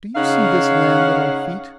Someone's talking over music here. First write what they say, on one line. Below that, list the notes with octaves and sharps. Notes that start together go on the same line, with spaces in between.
'Do you see this land at our feet?'
C#3 D#4 C#5 F5 F#5